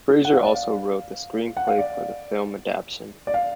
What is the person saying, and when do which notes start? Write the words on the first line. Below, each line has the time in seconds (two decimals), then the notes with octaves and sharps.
Fraser also wrote the screenplay for the film adaptation.
0.25 F#5
0.34 F5
0.44 D5
0.55 F5
1.57 F#5
1.67 F5
1.79 D5
3.27 D5
3.34 F5